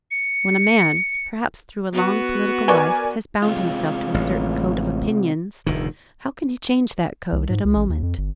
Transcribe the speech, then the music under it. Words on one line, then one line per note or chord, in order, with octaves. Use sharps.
When a man, perhaps through a long political life, has bound himself to a certain code of opinions, how can he change that code at a moment?
C#7
B3 F#4
A#4 B4 D5 G#5 C#6
C3 G#3 F4
A1
F1 D2 D#3
C2
G#2
C#2
A1
D#2
F2
G1